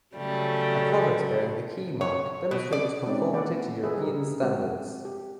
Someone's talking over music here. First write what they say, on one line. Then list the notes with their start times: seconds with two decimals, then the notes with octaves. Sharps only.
A product bearing the Keymark demonstrates conformity to European Standards.
0.16 C#3 F#3 G3 A3
2.01 C#5
2.51 B2
2.73 D5
3.06 G#3 C4 C#4 D#4 C#5 D5
3.33 A#3 B4 D5 F#5
3.83 G#4 A4 B4 D#5 E5
3.97 G3 G4 A#4
4.42 G#3 C4 F#4 G4
5.05 G4